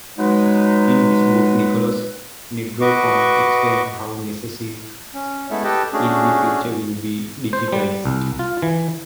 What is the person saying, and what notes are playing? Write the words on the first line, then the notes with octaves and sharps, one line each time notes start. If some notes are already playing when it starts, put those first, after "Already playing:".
In his book, Nicholas Negroponte explains how necessities in the future will be digitized.
F#3 G#3 D#4 B4
F#4 B4 D#5 C#6 D6
C#4
G#3 A3 B3 E4 A4 E5
G4 A4 B4 D#5 G5 A5
A3 C#4 D4 F#4 G#4
C5
G3
C2
F4
E3